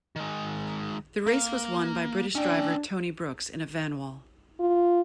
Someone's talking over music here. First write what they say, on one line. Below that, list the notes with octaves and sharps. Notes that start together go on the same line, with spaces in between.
The race was won by British driver Tony Brooks in a Vanwall.
D#3 G#3
A#3
C#4 D4 G5
F4